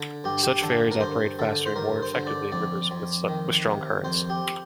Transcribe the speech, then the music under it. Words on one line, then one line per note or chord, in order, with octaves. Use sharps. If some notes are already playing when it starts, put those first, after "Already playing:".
Such ferries operate faster and more effectively in rivers with strong currents.
Already playing: D3
G2 G4
G4
D3 A4
A#4
G2 C5
D3 A4
C5
G2 A#4
C5
D3
D5
F2 D5
F2
D#3
C3
F2 C5
G4